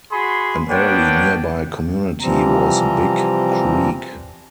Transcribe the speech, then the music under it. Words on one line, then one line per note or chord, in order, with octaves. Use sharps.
An early nearby community was Big Creek.
F#4 G#4 B5 C6
A#3 B3 D4 C#5 G5
C3 E3 F3 G3 C4 A#5